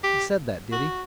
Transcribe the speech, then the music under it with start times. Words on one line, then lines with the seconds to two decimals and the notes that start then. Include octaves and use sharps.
"He said that, did he?"
0.04 G4
0.72 F#4